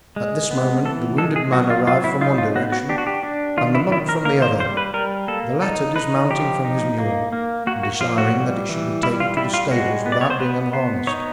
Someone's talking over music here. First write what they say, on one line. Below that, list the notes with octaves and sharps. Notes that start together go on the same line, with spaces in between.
At this moment the wounded man arrived from one direction and the monk from the other, the latter dismounting from his mule and desiring that it should be taken to the stables without being unharnessed.
G#3
B3
E3 A4
G#3 A4
G#4
F#3 F#4
F4
F#3 F4
E4
D#4 F4
F4
B3 F#4
F#4
D4 G4
F#4
G4
D4
D#3 F4
E4
D#3 E4
A#4
A#3 A#4
C5
G3 C5
B4
G3 A#4
A#3 A4
D#4 A4
D#4 B4
F3 G4
D#4
A#3
A#3
A#3 F#4
F#4
F3 F4
F#4
G3
E3
G3 E4
F4
G3 E4
F4
G#3 F#4
B3
D5
C#5
C5
B3 B4
B3 C5
D#4 C#5